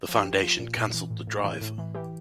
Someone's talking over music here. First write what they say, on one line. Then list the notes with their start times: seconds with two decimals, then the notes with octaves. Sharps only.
The Foundation canceled the drive.
0.09 F3
0.18 G4
0.26 F3
0.43 F3 F4
0.59 A#2
0.77 A#2
0.94 E3
1.11 A2
1.27 A2
1.45 E3
1.61 A2
1.78 E3
1.95 E3 G4